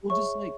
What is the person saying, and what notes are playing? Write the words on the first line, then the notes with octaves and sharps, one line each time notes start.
Well, just like
G#4 C#5 E5 C#6